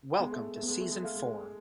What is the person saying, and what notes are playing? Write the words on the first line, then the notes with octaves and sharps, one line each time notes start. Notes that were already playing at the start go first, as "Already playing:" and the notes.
Welcome to season four!
G#3 B3
A3
G#3
A3
G#3 B3
A3
G#3
A3 F5
G#3